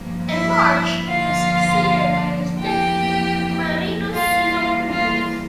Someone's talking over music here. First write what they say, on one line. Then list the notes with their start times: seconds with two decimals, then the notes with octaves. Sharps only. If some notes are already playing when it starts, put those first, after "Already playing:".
In March he was succeeded by his deputy Marinos Sizopoulos.
Already playing: G2 F3 A#3
0.30 E4 E5
1.07 G2 D3 F3 A#3 F4 F5
2.60 F2 E3 A#3 G4 G5
4.13 E2 E3 G3 A#3 F4 F5
4.90 F4 F5